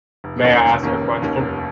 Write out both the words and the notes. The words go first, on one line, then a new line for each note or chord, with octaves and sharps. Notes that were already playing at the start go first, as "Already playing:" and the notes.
May I ask a question?
F1
D#2 D#3 A#3 C#4
F1
D#2 D#3 A#3 C#4
F1
D#2 D#3 A#3 C#4
F1